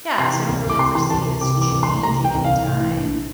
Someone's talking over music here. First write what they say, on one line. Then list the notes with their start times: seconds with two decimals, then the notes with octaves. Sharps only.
yeah, so I don't really foresee this changing anytime,
0.18 C3 C6
0.33 E3
0.49 C2
0.64 C2
0.70 D6
0.79 C3 C6
0.95 E3 C6
1.10 C2 A5
1.26 C2
1.41 C3 D6
1.57 E3 D6
1.72 C2
1.83 C6
1.88 C2
2.03 C3 A#5
2.19 E3
2.25 G5
2.34 C2
2.45 F5
2.50 C2
2.66 A2
2.81 E3
2.96 A#1